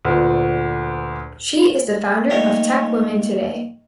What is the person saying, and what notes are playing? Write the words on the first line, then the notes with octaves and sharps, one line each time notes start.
She is the founder of Tech Women Today.
D2 A#2 B4
G3 A3 A#3 D#4 C#5